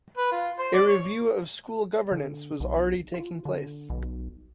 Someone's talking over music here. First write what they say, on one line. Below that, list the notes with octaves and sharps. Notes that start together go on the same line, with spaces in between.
A review of school governance was already taking place.
B4
F4
C5
D5
C#5
D3
B1
F4
D3
B1